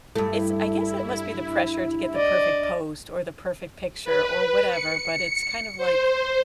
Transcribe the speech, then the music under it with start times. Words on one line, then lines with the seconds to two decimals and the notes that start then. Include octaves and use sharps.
it's I guess it must be the pressure to get the perfect post or the perfect picture or whatever, but, it's kind of, like,
0.16 G2 A3 E4
2.16 D5 D#5
4.05 B4
4.70 C#7
5.78 C5